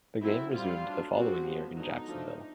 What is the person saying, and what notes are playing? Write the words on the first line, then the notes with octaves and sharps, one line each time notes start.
The game resumed the following year in Jacksonville.
F#3 A3 C4 E4
G3 C4 F4
F#3 A3 D4
G3 C4 F#4
F3 G#3 B3
D3 F#3 B3 D#4
F3 A3 D4